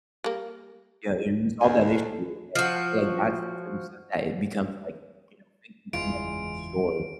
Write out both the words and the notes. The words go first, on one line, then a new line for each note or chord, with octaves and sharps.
you know, resolve that issue, and I feel like that's the type of stuff that it becomes, like, you know, faith in humanity restored.
G3 A#3
D#2 A4 G#5
F3 F#4
F#1 E2 E3 G#3 F4 D7